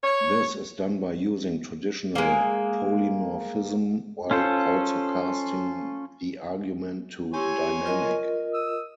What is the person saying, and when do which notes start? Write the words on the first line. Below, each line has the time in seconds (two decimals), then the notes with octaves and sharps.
This is done by using traditional polymorphism while also casting the argument to "dynamic".
0.04 C#5
2.15 G#3 A#3
4.31 C#4 F4 A4 C5
7.34 E4 G4 C#5 G#5 C6
7.86 F4 A#4 D#5
8.54 D#6 E6